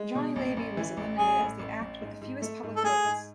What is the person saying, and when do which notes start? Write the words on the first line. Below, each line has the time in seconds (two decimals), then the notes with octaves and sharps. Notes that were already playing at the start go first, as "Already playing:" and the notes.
Jonny Labey was eliminated as the act with the fewest public votes.
Already playing: G#3
0.15 B2
0.36 A1
0.57 A1
0.77 E3
0.97 A1
1.18 A1 G#4
1.39 A2
1.59 A1
1.81 A1
2.01 G#2
2.22 G#2
2.42 A3
2.63 G#2
2.76 A4
2.83 A3 G#4
3.05 G#2